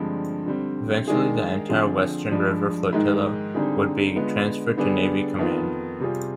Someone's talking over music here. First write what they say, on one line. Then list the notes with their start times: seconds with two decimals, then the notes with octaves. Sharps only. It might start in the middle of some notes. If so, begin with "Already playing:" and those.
Eventually the entire western river flotilla would be transferred to Navy command.
Already playing: G2 D3 F3 G#3 C4
0.46 D3 G3 C4
1.07 D#3 G#3 D4 G#4
1.69 D3 F3 C4 F4 G#4
2.31 G2 F3 G#3 D4
2.93 G#2 D#3 G#3
3.55 D3 G3 C4 D#4 G#4
4.16 D3 G#3 B3 F4
4.77 D3 G3 B3 D4 G#4
5.38 F2 D#3 B3 F4
6.00 C3 G3 C4 F4 G#4